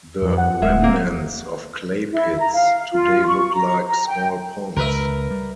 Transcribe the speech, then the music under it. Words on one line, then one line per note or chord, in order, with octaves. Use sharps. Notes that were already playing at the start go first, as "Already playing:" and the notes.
The remnants of clay pits today look like small ponds.
F2
F#5
D1 G#3 E5
A#3 C4 D#4
E4
A#5
F5
F4
C#6
A#5
A#5
G5
C#2 A#4 B4 E5
G3